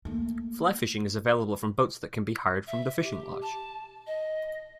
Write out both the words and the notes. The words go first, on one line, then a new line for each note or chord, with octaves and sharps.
Fly fishing is available from boats that can be hired from the Fishing Lodge.
A3 A#3
E5
G4
A5
D#5